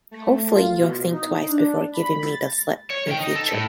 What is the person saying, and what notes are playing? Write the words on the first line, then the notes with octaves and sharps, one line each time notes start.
Hopefully, you'll think twice before giving me the slip in future.
A3
F4
B2
D#4
D4
B5
A6
C#5
D#3 G5
D#4
A4
A2